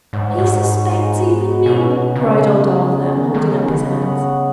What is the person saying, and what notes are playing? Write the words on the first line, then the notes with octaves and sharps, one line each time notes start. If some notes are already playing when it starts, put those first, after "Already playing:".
'He suspects even me!' cried old Arthur, holding up his hands.
G#2 C#5 F#5
G#2
D#5
C#5
F#4 B4
D#4 G#4
B3 D#4
B2 C#4
C#4
C#3 B3 D#4
C#4
B3
C#4
D#3 C#4
D#3
C#3
D#3 B4 D#5
C#3
B4 D#5
C#5 F#5
C#5 F#5